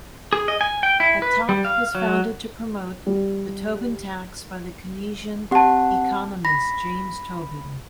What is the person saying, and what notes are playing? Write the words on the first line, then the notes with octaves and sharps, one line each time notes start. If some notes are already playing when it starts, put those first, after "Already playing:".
Attac was founded to promote the Tobin tax by the Keynesian economist James Tobin.
G#4
D#5
G#5
G5
E4
B4
G3
F5
F#3
G3
C4 G4 F#5 A5
B5 A#6